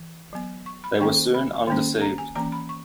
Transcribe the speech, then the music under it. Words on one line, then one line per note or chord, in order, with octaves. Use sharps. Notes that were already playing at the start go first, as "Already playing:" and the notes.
They were soon undeceived.
Already playing: E3
F#3 B3
C#6
B5
D#3 A#3 C#4 C#6
B5
D#3 A#3 C#4
A#5
G#5
E3 A#3 C#4 A#5
B5
C#6